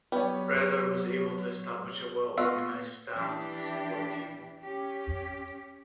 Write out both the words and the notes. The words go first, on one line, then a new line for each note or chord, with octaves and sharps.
Berthier was able to establish a well-organized staff support team.
F#3 G3 B3 C#5
B3 F4 F#4 E6
E3 D4 G4
C#4 G4